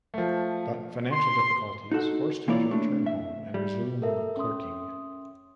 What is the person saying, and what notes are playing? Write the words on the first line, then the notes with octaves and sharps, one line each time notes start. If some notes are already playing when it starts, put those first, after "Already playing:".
But financial difficulties forced him to return home and resume clerking.
F3 A3
C6
D#4 F#4 A4 F#5
E3 A#3 E4 F4 C#5 D5
A3 D4
E5
G3
A4 A#4 E5
C#4 E5 C6 D#6